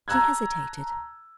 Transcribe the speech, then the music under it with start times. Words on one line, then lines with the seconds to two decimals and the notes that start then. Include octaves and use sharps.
She hesitated.
0.08 A5 A#5 E6 F#6 G#6